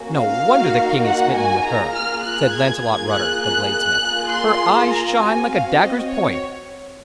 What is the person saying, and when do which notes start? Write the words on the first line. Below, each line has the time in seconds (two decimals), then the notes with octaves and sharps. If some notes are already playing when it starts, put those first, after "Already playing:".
"No wonder the king is smitten with her," said Launcelot Rutter, the bladesmith; "her eyes shine like a dagger's point."
Already playing: A#3 C#4 F#4
0.14 F5
0.43 A#3 D#4 F#4
1.03 F#5
1.32 G#5
1.62 A#3 F4 G#4 A#5
1.92 F6
2.22 F#6
2.51 G#6
2.81 A#3 F4 G#4 G#6
3.11 F#6
3.41 F#6
3.70 F#6
4.00 A#3 F4 G#4
4.29 C6
4.88 A#5
5.18 C4 F#4 G#5
5.48 F5
5.78 D#5
6.07 C#5